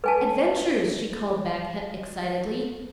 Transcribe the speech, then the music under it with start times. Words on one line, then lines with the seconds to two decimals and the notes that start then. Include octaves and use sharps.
"Adventures!" she called back excitedly.
0.04 B4 G#5 A5